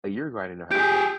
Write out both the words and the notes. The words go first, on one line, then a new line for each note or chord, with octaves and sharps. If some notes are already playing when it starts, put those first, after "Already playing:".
A year ago, I didn't know how to swim,
G4 G#4 G6 D7